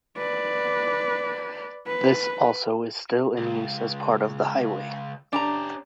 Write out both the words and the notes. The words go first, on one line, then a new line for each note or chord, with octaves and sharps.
This also is still in use as part of the highway.
B4 D5
B4
C#2
C#4 D4 G4 A5 A#5